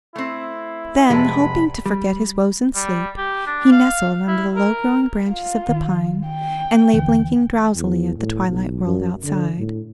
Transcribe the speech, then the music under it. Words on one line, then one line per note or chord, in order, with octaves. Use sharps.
Then, hoping to forget his woes in sleep, he nestled under the low-growing branches of the pine, and lay blinking drowsily at the twilight world outside.
A3 C4 E4
F1 F#3 G#3 B4 A5 B5
G3
G3
G4
D4
F5
E4
A#4
F4
D#3
G5
D#2 D3 E3
E2
A2
B1
F#2
D3
A2